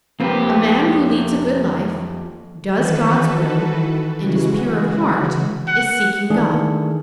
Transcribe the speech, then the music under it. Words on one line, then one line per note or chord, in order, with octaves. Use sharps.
A man who leads a good life, does God's will, and is pure of heart, is seeking God.
F2 A#3 C4 G4 B4
D#3 E3 F#4 A4 B4
C#3 E3 G#3 F#4
F#5
D#3 E3 A3 D4 G#4